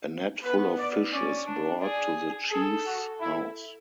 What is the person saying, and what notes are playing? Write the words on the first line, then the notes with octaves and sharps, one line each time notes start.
A net full of fish is brought to the chief's house.
B3 B4
D5
C#4 D5
D4
G#4 D5
G#4 A4
F#4
E4